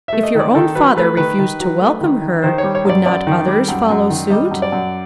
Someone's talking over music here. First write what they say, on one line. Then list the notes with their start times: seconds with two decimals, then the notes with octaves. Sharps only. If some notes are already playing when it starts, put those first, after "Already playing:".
"If your own father refused to welcome her, would not others follow suit?"
0.08 A3 E5
0.23 D#5
0.35 D#3
0.40 D5
0.55 D#3 A4
0.75 F#3 B4
0.96 A3 B4
1.17 D#3 B4
1.39 D#3
1.60 F#3
1.80 A3
2.01 D#3
2.22 D#3
2.43 D#3 C5
2.58 C#5
2.64 G3
2.75 C#5
2.85 F#2 D5
3.06 F#2 D5
3.27 D#3
3.47 G3
3.69 F#2
3.90 F#2
4.10 D#3
4.30 G3 D#5
4.51 F#2
4.62 D5
4.72 F#2